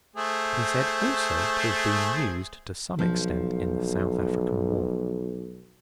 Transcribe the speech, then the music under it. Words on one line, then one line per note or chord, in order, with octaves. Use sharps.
It is said also to have been used to some extent in the South African War.
A3 G#4 C5
B1 F3